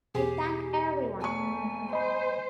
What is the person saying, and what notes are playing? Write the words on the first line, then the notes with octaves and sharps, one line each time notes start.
I thank everyone.
E2 B2 G4 G#4
E1 A3 G#5 C#6
C5 D#5 B5